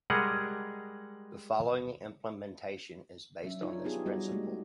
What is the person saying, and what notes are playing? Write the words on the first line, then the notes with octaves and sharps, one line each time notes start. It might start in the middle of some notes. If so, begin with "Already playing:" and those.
The following implementation is based on this principle.
G3 G#3 G#4 A#4 D#5 F#5
F#3 C#4 D4 E5
D4 D#4 F4 C#5
B3 D#4 F4 G4 G#4
G3 F#4 D#5
G#3 A3